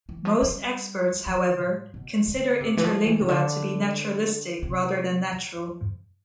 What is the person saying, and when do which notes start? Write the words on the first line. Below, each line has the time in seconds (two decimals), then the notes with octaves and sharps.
Most experts, however, consider Interlingua to be naturalistic rather than natural.
0.09 E3
0.25 F3
0.42 G3
1.26 F3
1.60 A2
1.94 B2
2.28 D3
2.61 C3
2.77 E3
2.84 F3
3.06 E3
3.21 C3
3.28 D3
4.62 C3